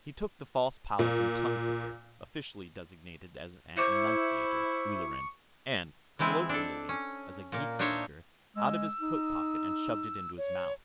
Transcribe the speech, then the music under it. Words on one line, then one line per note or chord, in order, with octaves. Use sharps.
He took the false palate and tongue-clicker, officially designated as an "enunciator, Ulleran" and, colloquially, as a geek-speaker, out of his coat pocket and shoved it into his mouth.
A#2
E4 C5 C#6 D6 C#7
E3 G#3 C4 E4 G#5
D4 A4
C#4
A#2 A#3
D4 D#4 C5 C#5 E5
G#3 E6
D#4
C#5